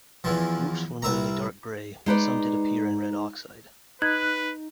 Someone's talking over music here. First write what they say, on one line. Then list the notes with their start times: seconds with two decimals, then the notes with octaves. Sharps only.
Roofs were normally dark grey but some did appear in red oxide.
0.24 E2 E3 F3
1.02 C2 B4 E5 A#5
2.06 G#3 D#4 B4 D5
4.02 D#4 B4 F#6 G#6